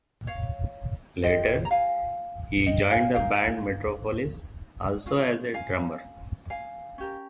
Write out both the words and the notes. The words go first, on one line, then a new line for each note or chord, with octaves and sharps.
Later, he joined the band "Metropolis," also as a drummer.
C#5 F5
F4 G#4 D#5 G5
A#5
F5 G#5
D#5 G5
F5 G#5
D#4 G4 A#4 F5 G#5
C#4 F4
F5 G#5
F5 G#5
C#4 G4 A#4